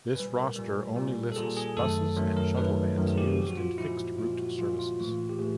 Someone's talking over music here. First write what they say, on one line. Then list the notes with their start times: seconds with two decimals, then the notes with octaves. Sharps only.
This roster only lists buses and shuttle vans used in fixed route service.
0.15 A#2 G3 B4
0.36 A#4
0.56 A#2 G3
0.96 A#2 G3
1.32 A4
1.36 A#2 G3 G#4
1.57 G#4
1.77 F#2 D#3 F#3 A3 A4
2.16 F#2 D#3 F#3 A3 A#4
2.37 A#4
2.57 F#2 D#3 F#3 A3 B4
2.97 F#2 D#3 F#3 A3 A#4
3.07 G#4
3.18 G4
3.28 F#4
3.38 A#2 F3 G#3
3.47 F#4
3.57 F4
3.78 A#2 F3 G#3 E4
4.18 A#2 F3 G#3 F4
4.39 F#4
4.58 A#2 F3 G#3 F4
4.79 F4
4.99 A2 E3 A3 F4
5.09 F4
5.30 G4
5.39 A2 E3 A3 G#4